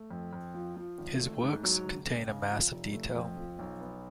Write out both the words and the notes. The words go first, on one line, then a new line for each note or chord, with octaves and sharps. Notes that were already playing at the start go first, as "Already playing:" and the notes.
His works contain a mass of detail.
Already playing: A3
F2
F2
F3
F3
G#1
A3
G#2
F#3
C#2
C#2
C#3
F3
F1
A3
F2
F3
B1
B3